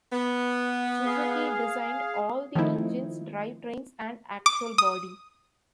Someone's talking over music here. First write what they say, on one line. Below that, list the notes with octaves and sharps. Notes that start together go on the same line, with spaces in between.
Suzuki designed all the engines, drivetrains and actual body.
B3
G#4 F5
D#3 F3 A3 C4 D#4 E4
D6
D#6